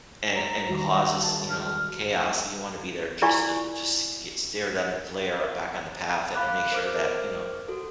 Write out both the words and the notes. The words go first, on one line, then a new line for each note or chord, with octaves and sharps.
and and causes, you know, chaos, you wanna be there just to, just get steer them clear back on the path and make sure that, you know,
A#5
D#3 G3 F#4
C#3 F#3 A5
G#2 G#3 F6
E4 F4 D5 G#5 C#6
F5 B5 D6 F#6
A#4 C5 D6 F6
F#4 A4